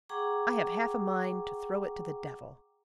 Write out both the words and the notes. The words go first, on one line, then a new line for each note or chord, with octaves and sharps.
I have half a mind to throw it to the devil.'
G#4 F#5 G5 A#5 C#6 D6